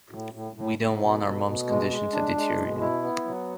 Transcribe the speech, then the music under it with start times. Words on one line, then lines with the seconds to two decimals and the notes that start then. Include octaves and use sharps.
We don't want our mum's condition to deteriorate.
0.11 A2
0.34 A2
0.56 A2
0.78 A2
1.01 B2
1.23 B2
1.45 B2
1.68 G#3
1.90 G#3
2.13 D4
2.35 G#3
2.58 B2
2.80 E4
3.02 B3
3.25 F#3